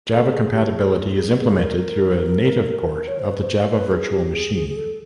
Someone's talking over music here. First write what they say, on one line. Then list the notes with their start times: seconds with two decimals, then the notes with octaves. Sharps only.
Java compatibility is implemented through a native port of the Java virtual machine.
0.11 A4
0.33 G#4
0.54 G4
0.75 G#4
1.17 G#4
1.38 G#4
1.59 A#4
3.08 C#5
3.19 C5
3.31 B4
3.42 C5
3.71 B4
3.92 G#4
4.13 G4
4.34 G#4
4.55 G#4
4.69 G#4
4.76 A4